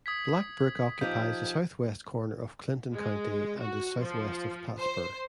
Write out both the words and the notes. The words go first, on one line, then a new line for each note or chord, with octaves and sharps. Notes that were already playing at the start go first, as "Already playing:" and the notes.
Black Brook occupies the southwest corner of Clinton County and is southwest of Plattsburgh.
D#6 G#6 B6
F3 D#4 G4 G6
G#3
F#4
F3
C5